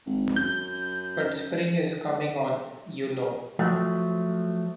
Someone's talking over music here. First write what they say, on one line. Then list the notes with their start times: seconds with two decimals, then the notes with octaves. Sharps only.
But spring is coming on, you know.
0.06 G#1
0.36 F#2 G6
3.59 F3 F#3 A3